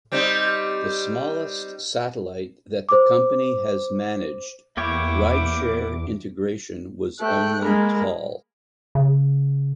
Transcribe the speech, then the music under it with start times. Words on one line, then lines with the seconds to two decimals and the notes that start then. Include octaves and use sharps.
The smallest satellite that the company has managed rideshare integration was only tall.
0.12 G3 C4 D#4
2.89 C5 D6
4.77 E2 A#3 E4 G4 C#5 F#5 D6
7.21 A3 G5 F#6
7.63 G#3 A#3 A#4 B5
8.95 C#3